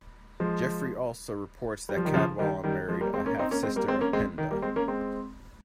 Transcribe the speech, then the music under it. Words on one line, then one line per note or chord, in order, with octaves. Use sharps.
Geoffrey also reports that Cadwallon married a half-sister of Penda.
F3 G#3
G3
F3
D#3 G3
C#3 F3
D#3 G3
D#3 G3
F3 G#3
G3 A#3
G#3 C4
A#3 C#4
C4 D#4
A#3 C#4
G#3 C4
G3 A#3
G#3 C4
A#3 C#4
G#3 C4
D#3
G3 A#3
G#3 C4
A#3 C#4
G#3 C4